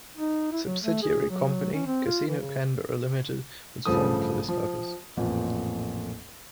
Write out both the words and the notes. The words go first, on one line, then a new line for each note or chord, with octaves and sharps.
A subsidiary company, Casino Canberra Limited was formed for this purpose.
D#4
E4
F#3
A3
G#4
F#3
F#3
C#4
C4
F4
E3
C#3
A1 G2 C#3 F3 A3 D#6
F3
A1 F2 A#2